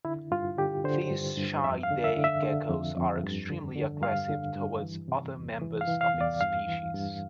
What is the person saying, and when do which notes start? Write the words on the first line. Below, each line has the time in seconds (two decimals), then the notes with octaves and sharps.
These shy day geckos are extremely aggressive toward other members of its species.
0.05 D3 E4
0.31 G2 F4
0.58 D3 G4
0.84 D3 C5
1.11 G2
1.37 G2
1.64 F2 E5
1.83 F5
1.91 D3
2.04 E5
2.17 D3
2.24 E5
2.43 D3
2.70 F2
2.96 F2
3.23 G2
3.50 D3
3.76 D3
4.02 G2 F5
4.29 D3
4.56 G2
4.82 E3
5.08 C3
5.35 E2
5.62 E3
5.81 F5
5.88 E3
6.01 F5
6.14 E2
6.21 D5
6.41 G2 F5
6.68 E3
6.94 G2